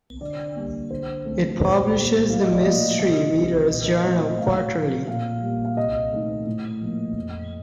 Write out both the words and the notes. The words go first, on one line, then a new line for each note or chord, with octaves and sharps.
It publishes the "Mystery Readers Journal" quarterly.
D3 D5
G3 A#3
D3 C5
A3 C4
A#2 C5
G3 A#3
A2 F5
D#5
D5
F3 A#3 D#5
C3 D#5
D#3 G3 C4
A#2 D#5
D#5
A3 C4 C5
D#5
A2 F5
F3 A3
A#2 F5
G3 A#3
F5
C3 D#5
D#3 A3
A2
F3 A#3
F2